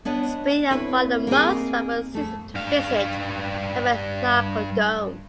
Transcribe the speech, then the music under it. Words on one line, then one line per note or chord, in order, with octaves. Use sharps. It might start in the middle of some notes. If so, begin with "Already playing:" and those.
Spring and fall are the most favorable seasons to visit Tabernacle Dome.
B3 D4 C#5 D#5
D2 G#2 C4 E4 B4 C#5
A#3 C4 D#4 G#4
F2 A3
G2 F5